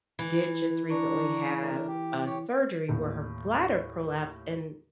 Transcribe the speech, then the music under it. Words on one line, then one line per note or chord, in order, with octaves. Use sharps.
did just recently have a surgery where her bladder prolapsed and
E3
D4 A#5 C#6
A3 D4 A#4
G4
G4 C#5
D#2 A2